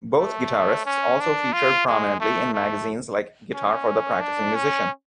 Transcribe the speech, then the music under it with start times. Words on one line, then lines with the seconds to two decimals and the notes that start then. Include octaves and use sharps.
Both guitarists also featured prominently in magazines like Guitar for the Practicing Musician.
0.19 A3
0.86 C#4
1.20 D4
1.53 F4
1.87 G#3
2.21 A3
2.53 A3
3.54 C#4
4.21 D4
4.55 C#4